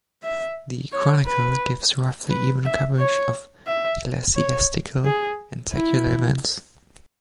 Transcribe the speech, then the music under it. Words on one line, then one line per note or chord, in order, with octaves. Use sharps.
The "Chronicle" gives roughly even coverage of ecclesiastical and secular events.
E5
C#5
B4
B4
E5
C#5
E5
C#5
G#4
E4